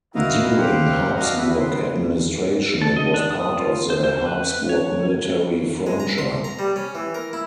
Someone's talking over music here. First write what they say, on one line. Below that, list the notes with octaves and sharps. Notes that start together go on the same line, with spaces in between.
During Habsburg administration, it was part of the Habsburg Military Frontier.
E4 F#4 A#4 D#5 F5
G4 C5 F5 F#5
D4 F#4 D#5 F5
E4 F#4 B4
B3 C6
A4
D#5
D4
D#6
F4
C5
C5
B4
C#5
G#3
A#5
C6
A#5
G3
C#4
E3
A#4
E4